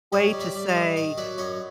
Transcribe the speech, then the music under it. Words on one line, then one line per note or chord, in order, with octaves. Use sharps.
way to say
G3 C#5 D#5
G3
D5 E5
G3
D#5 F5
D#3
D#3 D#5 F5
F#3 D5 E5
F#2 C#5 D#5